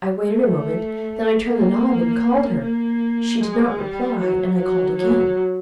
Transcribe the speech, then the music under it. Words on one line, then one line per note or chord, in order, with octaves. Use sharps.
I waited a moment, then I turned the knob and called her: she did not reply and I called again.
A3
A#3
A#3
G#3
G3
F#3
F#3
F#3